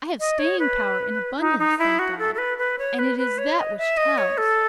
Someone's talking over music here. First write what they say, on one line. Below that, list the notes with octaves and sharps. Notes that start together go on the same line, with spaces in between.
I have staying power in abundance, thank God! and it is that which tells....
D#5
C#5
B4
D#4
D#4
E4
F#4
A4
A4
B4
B4
C#5
B4
B4
C#5
D#5
E5
D#5
C#5
A4